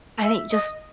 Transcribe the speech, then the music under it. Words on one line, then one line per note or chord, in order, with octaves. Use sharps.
I think just
E5
D#5